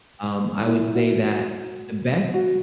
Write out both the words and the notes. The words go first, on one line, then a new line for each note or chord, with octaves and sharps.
um, I would say that the best
E4
F#4
F#4
F#4